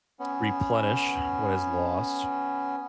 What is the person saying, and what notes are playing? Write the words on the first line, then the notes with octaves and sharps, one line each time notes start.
replenish what is lost,
B3 C#4